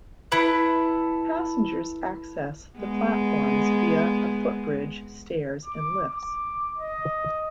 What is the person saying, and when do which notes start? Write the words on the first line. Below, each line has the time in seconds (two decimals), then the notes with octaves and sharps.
Passengers access the platforms via a footbridge, stairs and lifts.
0.32 E4 A4 B4
2.78 G#3 B3
5.65 D6
6.11 D6
6.78 D#5